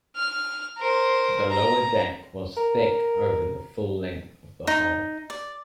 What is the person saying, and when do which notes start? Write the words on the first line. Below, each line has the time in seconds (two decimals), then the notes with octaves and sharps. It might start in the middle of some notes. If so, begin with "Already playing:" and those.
The lower deck was thick over the full length of the hull.
0.16 F6
0.79 A#4 C5
1.50 A#5
2.57 A#4
4.67 D#4
5.30 D5